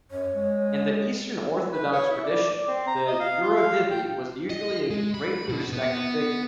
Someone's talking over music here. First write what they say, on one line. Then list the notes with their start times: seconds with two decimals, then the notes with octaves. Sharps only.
In the Eastern Orthodox tradition the "yurodivy" was usually a greatly respected figure.
0.11 F#2 C#5
0.34 G#3
1.73 B4
1.92 C#5
2.11 E4
2.24 D5
2.47 D5
2.68 C4
2.87 A#5
3.08 D#5
3.20 F5
3.42 F4
3.56 F5
3.91 G5
4.50 D#5
4.90 G#3
5.14 B5
5.49 B2
5.73 B3